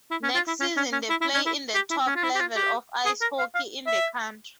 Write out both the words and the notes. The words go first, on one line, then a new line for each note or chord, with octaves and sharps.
Next season the play in the top level of ice hockey in the country.
E4
C#4
F4
E4
C#4
C#4
C#4
E4
E4
C#4
E4
G4
E4
C#4
F4
E4
G4
F4
G4
G#4
A#4
F5
F5
E5